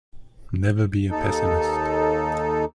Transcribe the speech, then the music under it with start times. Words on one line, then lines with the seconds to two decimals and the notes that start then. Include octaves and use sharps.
Never be a pessimist.
1.11 D#2 D#4 A4